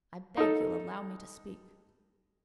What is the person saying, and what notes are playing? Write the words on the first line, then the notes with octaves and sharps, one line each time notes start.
I beg you'll allow me to speak.
D#4 A4